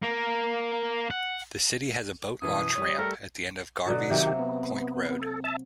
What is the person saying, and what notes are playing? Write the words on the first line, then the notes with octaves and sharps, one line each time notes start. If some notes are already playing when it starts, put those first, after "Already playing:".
The city has a boat launch ramp at the end of Garvies Point Road.
A#3
F#5
F#2 B2 E3 D#6
G3 C#5
G3 A3 A4 A#4
B2 D3 F#3
C3 D#3 F#3 A#3 G4
B3
A4
E5 A5